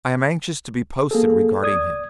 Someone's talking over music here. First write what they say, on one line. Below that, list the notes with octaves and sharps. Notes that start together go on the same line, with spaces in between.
I am anxious to be posted regarding him.
A#3 G#4 A4
D5 D#6 G#6